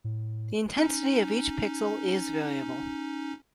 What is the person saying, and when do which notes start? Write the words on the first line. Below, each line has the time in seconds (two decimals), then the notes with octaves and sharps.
The intensity of each pixel is variable.
0.04 A2
0.77 C#4 D#4